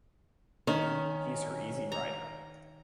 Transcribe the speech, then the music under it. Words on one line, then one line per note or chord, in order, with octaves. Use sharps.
He's her easy rider.
D#3 C#4
A#5